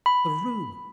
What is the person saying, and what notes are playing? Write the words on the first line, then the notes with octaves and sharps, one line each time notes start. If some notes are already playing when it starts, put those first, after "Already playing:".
The room!
B5